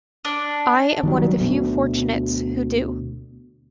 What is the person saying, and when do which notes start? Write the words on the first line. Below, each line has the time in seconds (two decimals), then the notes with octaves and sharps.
I am one of the few fortunates who do.
0.25 D4
1.03 D#3 F#3 G3
1.37 D2 B2